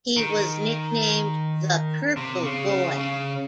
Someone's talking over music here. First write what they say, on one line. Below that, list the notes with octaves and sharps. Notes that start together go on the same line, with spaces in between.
He was nicknamed "the purple boy".
D#3
C3
C#3
C#3
C#3